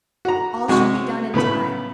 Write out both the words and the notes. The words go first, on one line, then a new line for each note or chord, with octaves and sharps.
All should be done in time.
F#4 A#5
C3 G#3 F#4 C#6
A2 C#3 B3 B5